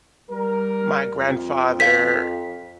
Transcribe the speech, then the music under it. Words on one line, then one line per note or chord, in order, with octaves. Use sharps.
my grandfather
G3 A#4
F2
F5 B6